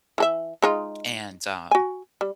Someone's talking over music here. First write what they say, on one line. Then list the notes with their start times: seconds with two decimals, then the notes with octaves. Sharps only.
And, um
0.18 E3 A4 E5
0.62 G#3 D#4 F4
1.71 F#4 G#5
2.21 G3